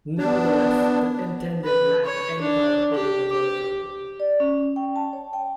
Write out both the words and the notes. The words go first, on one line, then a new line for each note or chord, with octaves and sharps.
Nevertheless, the intendant lacked any power over the military.
B3 D4
B4
C#5
D4
G4
G4
D5
C#4
G5
A5
C#5
G5